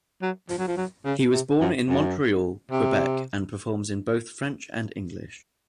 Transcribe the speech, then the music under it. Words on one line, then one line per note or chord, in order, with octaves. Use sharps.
He was born in Montreal, Quebec and performs in both French and English.
F#3
F3
F#3
F3
F#3
C#3
C3
F#2
F#2
C3